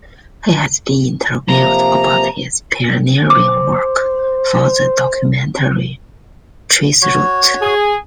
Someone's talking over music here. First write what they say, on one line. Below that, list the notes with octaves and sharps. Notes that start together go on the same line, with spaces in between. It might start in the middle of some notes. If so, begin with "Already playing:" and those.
He has been interviewed about his pioneering work for the documentary Traceroute.
C3 F3 A#3 A#5
C5 D6
F#4 C#5
G#4